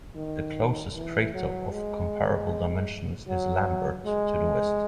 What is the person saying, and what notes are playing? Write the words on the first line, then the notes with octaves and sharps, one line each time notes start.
The closest crater of comparable dimensions is Lambert to the west.
D#3
E3
F#3
G#3
F#3
G#3